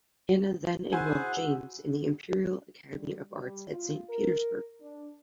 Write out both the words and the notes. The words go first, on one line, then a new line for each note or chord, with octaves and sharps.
Anna then enrolled James in the Imperial Academy of Arts at Saint Petersburg.
E4 F#4 G#4 C5 F#5 G#5
G3
G3
F4
A#4
D4